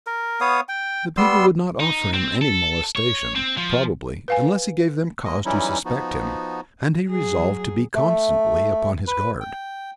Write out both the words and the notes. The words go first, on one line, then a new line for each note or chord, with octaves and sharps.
The people would not offer him any molestation, probably, unless he gave them cause to suspect him, and he resolved to be constantly upon his guard.
A#4
B3 C#5 F5 D#6
G5
G3 B3 C6 E6
D#4
C4
A4
C#5
C4
F3
B4 F5 G#5
G#3 A#3 D#5
E3 F#3 G3 C#4 D#4 E4
F3 B3 D#4 F#4
F#3 G#4
A3
B4
G5